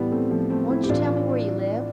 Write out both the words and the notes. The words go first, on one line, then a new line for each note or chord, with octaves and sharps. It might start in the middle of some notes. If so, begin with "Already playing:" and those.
Won't you tell me where you live?
Already playing: A2 E3 G3 B3
A3 C4
F3 A3
A3 C4
C4 E4
G4
A2 E3 D4 F4